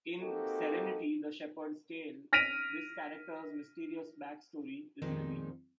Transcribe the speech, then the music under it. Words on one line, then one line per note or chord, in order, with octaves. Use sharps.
In "Serenity: The Shepherd's Tale", this character's mysterious backstory is revealed.
A#3 C4 D#4 F#4 G4 A4
F6 A#6 B6 D7 D#7 F7
F2 A#2 D#3 F3 G#3 D#4